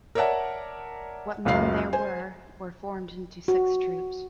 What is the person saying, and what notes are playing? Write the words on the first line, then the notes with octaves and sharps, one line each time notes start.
What men there were, were formed into six troops.
A#4 C#5 D5 E5 F#5 A5
F#1 C#2 F#2 F5 C7
C5 G#5
F#4